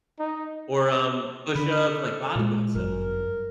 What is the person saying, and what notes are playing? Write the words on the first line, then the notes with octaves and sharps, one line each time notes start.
Or, um, push-ups, like body weight stuff is great.
D#4
D3 B5
A4
A#2 G#3
G1 F#2 A#4